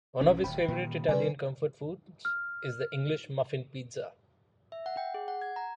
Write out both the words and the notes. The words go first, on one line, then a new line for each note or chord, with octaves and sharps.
One of his favorite Italian comfort foods is the English muffin pizza.
B1 C#4
D#1 G5 B5
A#2 D#3
C3 G3 B4 D5 G#5
F6
E5
F#5
G5
G#4
F#5
G#6
A#5